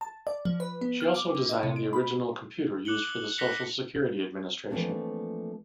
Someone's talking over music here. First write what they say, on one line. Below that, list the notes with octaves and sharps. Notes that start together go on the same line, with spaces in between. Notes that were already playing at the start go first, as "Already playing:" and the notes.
She also designed the original computer used for the Social Security Administration.
A5
D5
F3
B4
B3
F6
D6
D3
D#5
C3
D7
B5
D6 F#6 C#7 F#7 G7
F#6 A#6 B6 C#7
E3 F3 A3 A#3 C4 D4